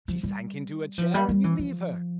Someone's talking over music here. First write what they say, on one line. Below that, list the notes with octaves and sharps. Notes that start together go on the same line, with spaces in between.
She sank into a chair and you leave her.
F3
G3
F3
G3
G3
E3
F3